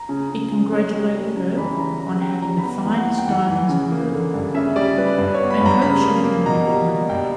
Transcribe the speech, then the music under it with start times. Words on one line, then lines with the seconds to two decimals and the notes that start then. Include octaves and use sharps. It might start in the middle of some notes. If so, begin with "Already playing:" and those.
It congratulated her on having the finest diamonds in Europe, and hoped she would remember him.
Already playing: A#5
0.09 C#3
0.30 C#3
0.52 C#3
0.72 C#4
0.93 G3
1.15 G3
1.37 C#3 A#5
1.57 E3 B5
1.78 C#3 A#5
2.00 C#3 A#5
2.21 C#4 G5
2.42 G3 A#5
2.58 B5
2.63 B3 A#5
2.85 E3
2.95 F#5
3.06 E3
3.18 G5
3.27 E3 F#5
3.49 E3
3.69 C#3
3.91 A#3
4.12 D3
4.34 G2
4.54 C#3 E5
4.76 G3 D5
4.97 G3 B4
5.18 G2 B4
5.34 C#5
5.40 B3
5.50 B5
5.61 G2 A#5
5.82 C#3 B5
6.04 A#3
6.25 A#3
6.46 B2 A#5
6.67 G3
6.88 B2
7.09 G2 G5